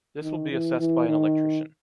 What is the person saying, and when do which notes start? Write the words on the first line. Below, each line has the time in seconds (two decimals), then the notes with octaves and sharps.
This will be assessed by an electrician.
0.22 D#3
0.51 E3
0.79 E3
1.09 D#3